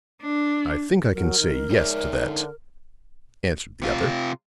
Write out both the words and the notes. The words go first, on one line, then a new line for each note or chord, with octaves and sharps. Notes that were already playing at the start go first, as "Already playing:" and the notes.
"I think I can say 'yes' to that," answered the other.
D4
F#3 A#4
D#3
D#4 C#5 D5 E5
D3
C3 F4